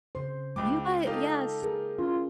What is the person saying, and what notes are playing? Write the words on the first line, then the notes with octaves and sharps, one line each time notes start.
You got yes.
C#3 C5 C6
C#2 G#3 G5 D6
D#4 F4 G4 A4
G#4 A#4
C#4 F4